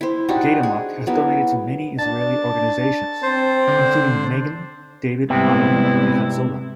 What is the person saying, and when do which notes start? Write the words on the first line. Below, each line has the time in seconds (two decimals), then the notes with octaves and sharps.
Gaydamak has donated to many Israeli organizations, including Magen David Adom and Hatzolah.
0.01 E4 C5
0.28 D4 D#4 F#4 G4
0.63 G#4
1.07 F#3 B3 E4
1.99 D4 A5
3.23 C4 C5
3.68 D3
5.30 G#2 C3 G3 B3 C4 E4